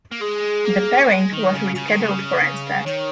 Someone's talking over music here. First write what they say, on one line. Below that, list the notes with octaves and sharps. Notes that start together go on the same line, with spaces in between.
The pairing was rescheduled for instead.
A#3
G#3 G#4
A#3
G#3
D#3
C#3
C#3
D#3
C#3
D#3 C#5